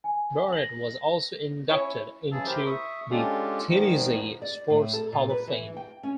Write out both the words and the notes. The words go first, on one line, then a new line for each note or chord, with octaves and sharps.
Barnett was also inducted into the Tennessee Sports Hall of Fame.
G#5
A#6 F#7
C#4 E4 C#5
F#2 C#3 E3 G#4 A5 E6
E4 G4 A#4 C5
E5 C#6 D#6
G#3 C#4 D4 F4 G4 A4
E2 G#2 D#3 F3
D5
A2
A4
A#2
B4
E3
G5
C#4